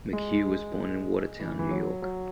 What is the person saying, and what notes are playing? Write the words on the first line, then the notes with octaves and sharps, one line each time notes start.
McHugh was born in Watertown, New York.
G#3
E3
E3
F#3
F#3